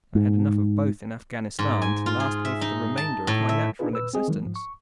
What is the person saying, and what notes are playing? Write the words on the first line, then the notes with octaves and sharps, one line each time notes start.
I had enough of both in Afghanistan to last me for the remainder of my natural existence.
G#2
G#2
G#5
F4
G#4
E5
D#4
A5
A2
E5
D4 D#4 F4 G#4 B4
A#2 B4 E6
C4 G#4 D#5
D#3 E3 F#3 G#3
G#2 F3
C#6